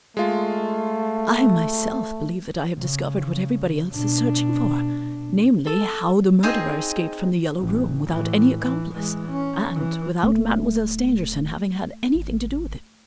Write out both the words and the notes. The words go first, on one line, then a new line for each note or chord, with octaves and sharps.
I myself believe that I have discovered what everybody else is searching for, namely, how the murderer escaped from The Yellow Room, without any accomplice, and without Mademoiselle Stangerson having had anything to do with it.
G#3 A3 F4
C#3
B2 D4
A4
C4 D#4 G#4 C5 D#5
A1
A2 E3
E3
E3 G#3
C#4
E3
D1 A3
G#1